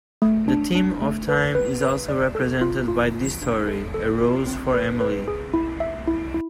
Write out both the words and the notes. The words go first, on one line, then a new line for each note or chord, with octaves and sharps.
The theme of time is also represented by this story, "A Rose for Emily".
A3
D4
D4
A3
B4
B4
B4
D5
A4
F4
F4
F4
D4
A4
A4
F4
C4
B4
B4
G#4
E4
E5
E4
E4